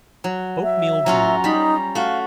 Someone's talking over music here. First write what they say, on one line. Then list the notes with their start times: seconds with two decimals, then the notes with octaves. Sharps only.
Oat-meal Gruel.
0.24 F#3
0.63 E5
1.06 F#3 C#4 F4 A#5
1.44 G3 D#4 B5
1.95 A3 F#4 F5